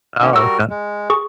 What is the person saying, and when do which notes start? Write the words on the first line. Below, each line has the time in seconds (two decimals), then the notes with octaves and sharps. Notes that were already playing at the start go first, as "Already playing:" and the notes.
Oh, okay.
0.21 D#3 A#3 C#4
0.33 G3 F#4 A#4 F#5 E6
0.70 G#3
1.10 G#4 C#6